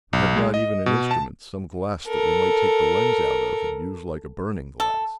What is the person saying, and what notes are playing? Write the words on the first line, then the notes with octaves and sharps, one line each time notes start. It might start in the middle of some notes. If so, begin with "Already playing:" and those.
"We have not even an instrument, some glass that we might take the lens out of, and use like a burning glass."
B1
G#3
D#5
B2
A5
A4 A#4
A4